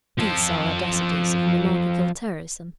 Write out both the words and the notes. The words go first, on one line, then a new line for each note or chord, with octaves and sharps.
These are audacities of monarchical terrorism.
F3 A4